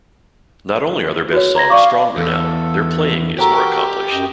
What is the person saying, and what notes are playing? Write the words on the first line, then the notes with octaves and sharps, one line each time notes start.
Not only are their best songs stronger now, their playing is more accomplished.
F#4 C#5
A#5 G#6 A#6
D5 F5 C#6 D6
E2 A4
F#4 G4 A4 A#4 C5 A#5
F#2 D#5 G5